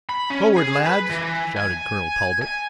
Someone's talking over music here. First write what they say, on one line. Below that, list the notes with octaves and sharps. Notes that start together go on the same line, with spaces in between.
"Forward, lads!" shouted Colonel Talbot.
B5
C#4
G#4
B4
E3
G#5
G#5